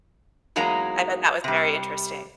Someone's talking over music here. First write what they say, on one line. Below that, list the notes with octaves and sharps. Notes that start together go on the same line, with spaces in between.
I bet that was very interesting.
E2 F#3 G#3 A#3 D#4 A#5
C3 G3